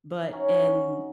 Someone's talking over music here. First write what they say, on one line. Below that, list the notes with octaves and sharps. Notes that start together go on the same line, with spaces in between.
but in
D#4
C#4 F#4